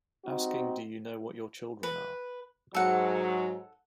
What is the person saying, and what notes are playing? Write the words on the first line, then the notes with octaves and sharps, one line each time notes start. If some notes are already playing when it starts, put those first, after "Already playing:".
Asking Do You Know What Your Children Are?
G3 C4 D#4 F#4
B4
G#2 F#3 A4 F#5